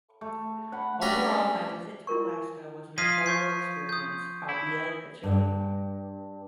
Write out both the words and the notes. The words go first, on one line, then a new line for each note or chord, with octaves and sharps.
Overall, my visit to Alaska was an incredible experience, albeit a chilly one.
A3
F#5 B5
G3 A3 C#4 D4 G5 A#5
E4 F4 A#4 C#6
F3 D#5 F5 G#6 B6 D#7
C#6 G6 C7
D#6 G6
E4
G2